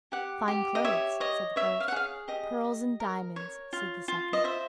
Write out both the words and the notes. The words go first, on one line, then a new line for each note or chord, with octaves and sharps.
"Fine clothes," said the first: "Pearls and diamonds," said the second.
G4 F#5
G4
D#5
C#5 E5
C#5 D#5
C#5 E5
F5
F#5
G#4 F5
G4 D#5
D#5
A#4
C#5
F4
F4
D#5
C5 E5